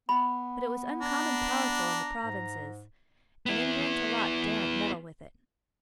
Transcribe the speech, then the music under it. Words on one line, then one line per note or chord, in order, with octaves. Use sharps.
But it was uncommon powerful in the provinces, and Enver and Talaat daren't meddle with it.
B3 B5
D4 A#5
G#2
B3 E4